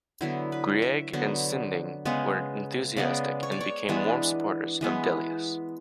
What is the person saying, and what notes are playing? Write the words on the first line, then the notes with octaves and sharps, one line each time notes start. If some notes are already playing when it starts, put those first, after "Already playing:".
Grieg and Sinding were enthusiastic and became warm supporters of Delius.
D3 F#3 B3 E4
B4
E5
D3 F#3 B3
C#3 G#3 B3
C#3 G#3 B3 D5
C#5
D5
C#5
E3 G#3 B3 D4
E3 G#3 B3